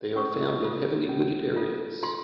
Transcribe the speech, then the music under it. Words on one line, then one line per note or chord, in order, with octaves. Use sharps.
They are found in heavily wooded areas.
C#4 C#6
F4 A4
C#4
F4 A4
F4 C6